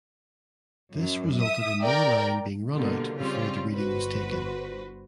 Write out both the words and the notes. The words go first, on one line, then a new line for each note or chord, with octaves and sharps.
This resulted in more line being run out before the reading was taken.
F#2
E5 D#6
A#4 D5 G5
B2 D3 G3 A#3 F4
C#3 G3 C4 C#4 F4
G1 F#4 B4 C5